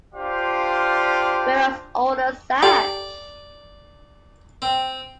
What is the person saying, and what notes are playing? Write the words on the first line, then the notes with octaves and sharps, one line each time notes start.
Whereas older Sash!
D4 F4 G4 C5 D5 F5
G4 A4 D5
C4